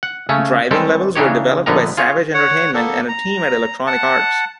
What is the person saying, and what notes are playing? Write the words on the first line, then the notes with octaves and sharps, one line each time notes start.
Driving levels were developed by Savage Entertainment and a team at Electronic Arts.
F#5
C#3 A3 C#4
D#3 G3 G#3 C4 G4 A4
C#3 E3 D4 D#4 G4 C#5
A#1 D3 B3 D#4 A#4 A#5
F4 G#4 C#5
C#5 F#5
A#3 B3 A4
A#5
F#5 A5